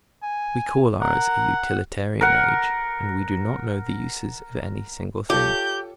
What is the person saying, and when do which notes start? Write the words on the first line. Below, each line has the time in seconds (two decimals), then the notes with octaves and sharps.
We call ours a utilitarian age, and we do not know the uses of any single thing.
0.23 G#5
1.01 A#4 F#5
2.21 A#4 F#5
5.30 F4 G4 A4 C#5 G6